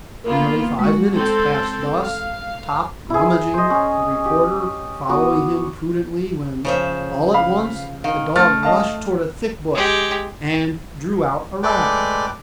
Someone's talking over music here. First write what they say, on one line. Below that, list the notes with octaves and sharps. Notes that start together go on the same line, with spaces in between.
Nearly five minutes passed thus, Top rummaging, the reporter following him prudently when, all at once, the dog rushed towards a thick bush, and drew out a rag.
A#3 B3 F4 A#4
G#3 F#4
C4 A4
F5
E4 G#4
C5 D#5
C#4
G4
B3 F#4 D6 D#6
C#3 F3 E5
F5 B5
D#3 F5
A3 F6 A6
D#5 F5 A5
G#3 G4
G#3 A3 B4 D5 G5 D6